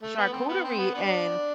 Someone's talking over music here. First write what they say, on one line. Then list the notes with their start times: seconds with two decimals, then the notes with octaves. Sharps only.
charcuterie and,
0.03 A3
0.18 B3
0.33 C4
0.49 B3
0.64 C4
0.78 B3
0.94 B3 D4